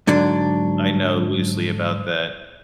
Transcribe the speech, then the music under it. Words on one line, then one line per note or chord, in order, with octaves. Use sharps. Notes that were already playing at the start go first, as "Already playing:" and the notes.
I know loosely about that.
G#2 D3 F#3 D4